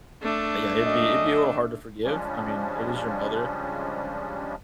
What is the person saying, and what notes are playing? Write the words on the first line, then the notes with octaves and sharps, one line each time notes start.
Uh, yeah, it'd be it'd be a little hard to forgive. I mean, it is your mother.
A3 D4
F#2 D#5
C#3 F3 G3 G#3 C#4 D4